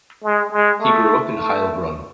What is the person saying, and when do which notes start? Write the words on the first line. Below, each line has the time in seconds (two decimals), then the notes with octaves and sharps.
He grew up in Heilbronn.
0.24 G#3
0.52 G#3
0.81 A3
1.38 A3